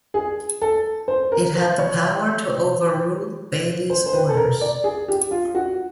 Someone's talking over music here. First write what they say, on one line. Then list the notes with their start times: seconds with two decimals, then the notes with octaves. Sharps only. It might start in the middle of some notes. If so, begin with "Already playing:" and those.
It had the power to overrule Bailie's orders.
0.14 G#4
0.62 A4
1.08 C5
1.32 A#4
1.56 C5
1.79 C#5
3.90 C5
4.06 C5
4.13 B4
4.29 A4
4.37 A#4
4.61 D5
4.84 G#4
5.08 G4
5.31 F4
5.55 F#4